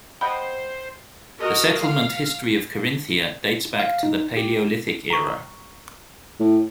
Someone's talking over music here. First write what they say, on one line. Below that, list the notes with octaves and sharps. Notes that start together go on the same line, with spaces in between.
The settlement history of Carinthia dates back to the Paleolithic era.
C5 D#5 F#5 G5 B5
F#4 A#4 D#5
F5
F5
D#4
G4
A#5 C#6
A2